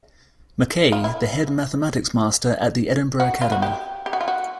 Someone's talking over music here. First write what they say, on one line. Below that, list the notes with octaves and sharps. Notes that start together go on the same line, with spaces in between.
Mackay, the head mathematics master at the Edinburgh Academy.
F4
E4
F#4
F4
F#4
G4
G4
F#4
F4
F#4